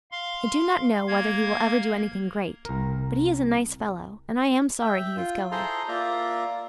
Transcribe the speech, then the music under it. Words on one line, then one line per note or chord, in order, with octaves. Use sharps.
I do not know whether he will ever do anything great, but he is a nice fellow, and I am sorry he is going.
F5 C6
A#3 G#6
C2 A#4
E5 G5
F4
E4 G#4 A4 C5 A#5 C6
A#3 F4 D5 E5 A#5